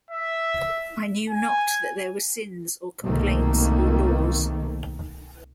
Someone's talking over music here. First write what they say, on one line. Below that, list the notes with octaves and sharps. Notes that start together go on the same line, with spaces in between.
I knew not that there were sins or complaints or laws.
E5
G#5
C2 G#2 B2 D#3 A3 A#3